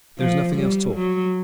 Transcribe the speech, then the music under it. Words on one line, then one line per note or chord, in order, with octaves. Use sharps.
There is nothing else taught.
F3
G3
F#3